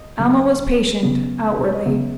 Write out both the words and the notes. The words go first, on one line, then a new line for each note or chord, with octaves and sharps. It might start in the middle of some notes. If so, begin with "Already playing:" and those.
Alma was patient--outwardly.
Already playing: D#5
C#3 F#3 A#3
C#3 F#3 B3
B4
C#5
D#5
C#3 F#3 B3 E5